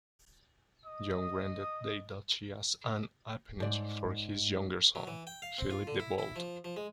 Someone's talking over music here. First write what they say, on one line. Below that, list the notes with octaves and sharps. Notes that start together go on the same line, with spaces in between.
John granted the duchy as an appanage for his younger son, Philip the Bold.
D#5 D#6
G#2 D5
F#3
E3
G5
F5
C4
F4
D3
E4
E4
F3
F3
G#3